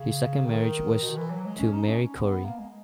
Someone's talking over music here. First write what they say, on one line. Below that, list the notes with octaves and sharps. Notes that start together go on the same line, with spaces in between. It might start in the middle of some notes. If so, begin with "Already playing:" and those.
His second marriage was to Mary Corey.
Already playing: C#3
D#3
B2
D#3
E3
F#3
G#3
C#4
D#4
C#4
B3
A#3
G#3